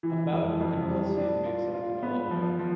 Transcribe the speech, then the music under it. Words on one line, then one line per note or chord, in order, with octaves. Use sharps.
About of canola seed makes of canola oil.
E3
F2
F2
G3
D4
F4
F4
B3
F3
F3